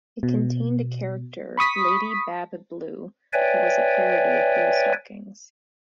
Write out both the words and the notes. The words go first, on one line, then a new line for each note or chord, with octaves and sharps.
It contained a character Lady Bab Blue who was a parody of bluestockings.
B2
B5 C#6 D#6 B6
B4 C#5 D5 E5 G5 G#5